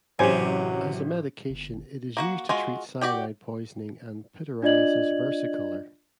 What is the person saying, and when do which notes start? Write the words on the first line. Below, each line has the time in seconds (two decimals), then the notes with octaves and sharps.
As a medication it is used to treat cyanide poisoning and pityriasis versicolor.
0.19 A1 F#2 C3 F#3 G4 C5 G#5
1.50 G1
2.17 A#3 F#4 F#5
2.49 G#3 F4 F#4
3.01 F#4 G4 D5 G5
4.62 D4 F4 D5 D#5 G#6 F#7